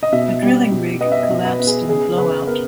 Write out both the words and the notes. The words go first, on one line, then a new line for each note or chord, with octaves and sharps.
The drilling rig collapsed in the blowout.
D#5
B2 E5
G3
B2
B3 D#5
E5
D#5
B2
B4
B3
G#4
C#3 G#4
C#3 B4
B3 A#4